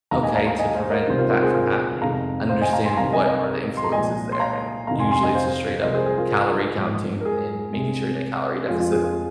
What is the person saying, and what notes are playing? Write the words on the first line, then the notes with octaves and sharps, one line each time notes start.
Okay, to prevent that from happening, understand what are the influences there." And usually, it's a straight up calorie counting and making sure you're in a calorie deficit.
D#2 D#3 G#3 F5 A#5
D#5 G#5
F5 A#5
F5 A#5
D#5 G#5
C5 F5
A#4 D#5
C2 C3 D#3 G#3 C5
F4 A#4
F4 A#4
G#4 C5
F4 A#4
F2 C3 D#3 G#3 F5 A#5
C5 F5
D#5 G#5
F5 A#5
G#5 C6
C2 C3 D#3 F5 A#5
D#5 G#5
A#4 D#5
C6
A#5
C2 A#2 F3 G#3 D#5 G#5
C6
F5 A#5
F2 C3 D#3 F5 A#5
G#5 C6
G#5 C6
D#5 G#5
C5 F5
C2 C3 F3 G#3 A#4 D#5
G#4 C5
G#4
F4 A#4
G#2 F3 G#3
A#4
G#4
C2 C3 G#3
F2 F3 G#3 F4
F4
G#4
F4